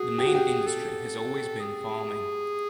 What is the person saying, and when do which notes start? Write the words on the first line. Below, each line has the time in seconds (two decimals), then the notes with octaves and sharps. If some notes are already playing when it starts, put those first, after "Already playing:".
The main industry has always been farming.
Already playing: F#4 G#4
0.18 G4
0.26 F#4
0.34 G4
0.66 A4
1.60 G#4